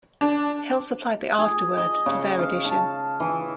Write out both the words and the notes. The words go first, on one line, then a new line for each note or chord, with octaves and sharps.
Hill supplied the afterword to their edition.
D4
G#4
D#5
C#3
F5
A5
E3